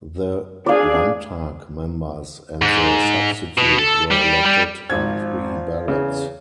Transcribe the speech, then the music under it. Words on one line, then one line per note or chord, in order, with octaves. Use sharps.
The Landtag members and the substitute were elected in three ballots.
D4 G#4 D5 F5
G#2
B2
A4
G3
G3
G#1 F3 G#6
E2 C#3